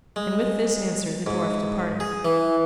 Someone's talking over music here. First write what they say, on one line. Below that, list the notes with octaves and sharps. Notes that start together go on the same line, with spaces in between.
And with this answer the dwarf departed.
G#3
G#2
G#4
E3